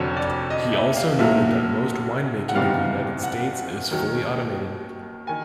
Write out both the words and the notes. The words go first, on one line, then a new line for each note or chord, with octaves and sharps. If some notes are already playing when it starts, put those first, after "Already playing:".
He also noted that most winemaking in the United States is fully automated.
Already playing: F1 F2 D3 F#3 C#5
D5
D#5
E5
F5
B1 A#2 F#3 E5
F#5
F#1 E2 C3 D#3 G3 F5
F#5
D#2 D#3 F#3
D#3 G#5